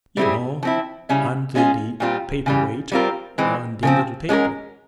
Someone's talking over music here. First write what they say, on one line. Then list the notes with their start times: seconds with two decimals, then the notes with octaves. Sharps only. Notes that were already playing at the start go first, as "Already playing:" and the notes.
"You know--under the paperweight on the little table."
0.17 G3 C4 E4 G#4
0.63 F3 C4 E4
1.09 C#3 G3 C#4 E4
1.55 G#3 C#4 F4 G#4
2.00 A#2 G3 C4 F4
2.46 C#3 E3 G3
2.92 G3 C4 F4 A#4
3.38 E3 G#3 C4
3.83 C#3 F3 C4
4.29 G#3 C#4 G4 A#4